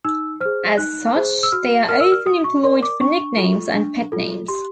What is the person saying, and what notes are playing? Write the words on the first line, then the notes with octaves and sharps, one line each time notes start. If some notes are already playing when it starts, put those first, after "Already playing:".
As such, they are often employed for nicknames and pet names.
D#4 E6
G#4 C5 F6
D#4 F#6
G#4 C5
E6
F#4 F6
A#4 D5 F6
E6
F6
F#4 D#6
C#6
A#4 D5 C6
D6
D4 C#6
F4 A4
D4
F4 A4
G4 C6